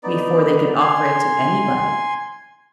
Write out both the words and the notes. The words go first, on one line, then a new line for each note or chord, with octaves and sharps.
before they could offer it to anybody.
B3 D#4 D5
G#5 C6